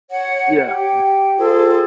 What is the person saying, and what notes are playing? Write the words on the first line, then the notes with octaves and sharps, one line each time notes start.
Yeah, h
C#5 F#5
G4 G5
F4 G#4 A4 C5